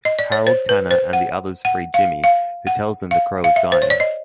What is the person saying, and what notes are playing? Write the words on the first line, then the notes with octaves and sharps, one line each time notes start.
Harold, Tanner, and the others free Jimmy, who tells them the crow is dying.
D#5
D5
C#5
C5
B4
C5
F#5
F#5
F5
F5
F#5
F5
F5
E5
C5
C#5
D5
D#5